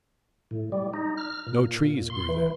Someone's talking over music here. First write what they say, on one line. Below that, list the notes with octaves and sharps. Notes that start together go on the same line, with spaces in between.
No trees grew there.
A2
G3
D#4
F6
A#2
C6
E3